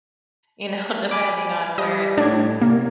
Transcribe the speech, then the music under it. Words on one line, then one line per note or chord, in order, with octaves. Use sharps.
you know, depending on where it
G#5 B5 D6
G3 D#5
A2 D4 G#6
C3 A#3